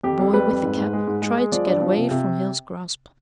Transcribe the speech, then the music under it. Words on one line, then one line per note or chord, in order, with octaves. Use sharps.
The boy with the cap tried to get away from Hale's grasp.
F2 G4
F2
G3 B4
F2
G#2
G#2
G#3
G#2
G#3
G#3
F3 D5
G2 D5
F3
C3
C3